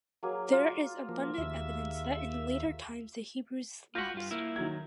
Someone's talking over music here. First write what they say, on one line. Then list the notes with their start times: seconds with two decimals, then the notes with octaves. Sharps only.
There is abundant evidence that in later times the Hebrews lapsed.
0.23 F#3 A#3 G#4
0.52 F4
1.09 F3 A#3
1.38 D#2 E5
3.95 F4 F#4 G6 A#6 B6
4.14 G2 F4
4.31 A#3 E4
4.56 D#3 F#3 G#6